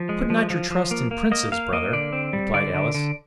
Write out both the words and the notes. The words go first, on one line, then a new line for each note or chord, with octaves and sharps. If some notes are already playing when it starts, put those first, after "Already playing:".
"Put not your trust in princes, brother," replied Alice.
Already playing: F3
G#3
F3
F3
F3
A#3
A#3
A#3 D#5
A#3 F5
A#3 D#5
D3 D5
C4
G3
D3 D5
D3
D3